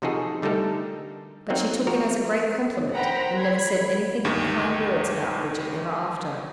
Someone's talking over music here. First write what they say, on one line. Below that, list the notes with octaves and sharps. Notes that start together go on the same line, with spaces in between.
But she took it as a great compliment and never said anything but kind words about Bridget ever after.
C3 F3 D#4 F#4 G#4 A4
D3 G3 A3 D#4 A4 A#4
F#3 A#3 C4 D#4
F3 F#4 A#4
A#4 C5 F#5 G5 A#5 B5
B5 G#6 C7
D2 G2 D#3 A#3